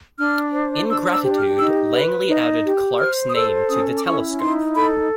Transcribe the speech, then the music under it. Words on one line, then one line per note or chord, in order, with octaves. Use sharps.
In gratitude, Langley added Clark's name to the telescope.
D4 F6
C5
D4 E6
E6
G4
F6
D#4 E6
B4
D#4
G4
C5 F6
D#6
A4 E6
C#4 D#6
D6
E4 C#6
D#4 C6
A4 B5